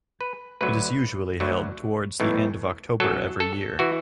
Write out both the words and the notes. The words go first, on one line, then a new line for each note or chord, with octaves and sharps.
It is usually held towards the end of October every year.
B4
D2 D3 F#3 B4
D2 D3 F#3
B1 A2 E3
F#2 F#3 A4
A4
E3 F#4